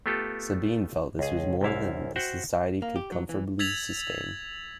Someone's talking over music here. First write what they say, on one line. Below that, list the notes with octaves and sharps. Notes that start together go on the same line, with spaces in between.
Sabine felt this was more than the Society could comfortably sustain.
A3 B3 F4 G4 A4
C#2 G#4
C2 F#2 E4 F5
F#4 C5 E5 F#5 G5
A#3
G4
F#3
E3
E6 G#6 A6 B6 F7 F#7